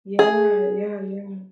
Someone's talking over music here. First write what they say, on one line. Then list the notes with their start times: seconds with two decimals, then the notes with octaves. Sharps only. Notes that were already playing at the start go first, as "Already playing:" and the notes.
Yeah, yeah, yeah.
0.19 G#4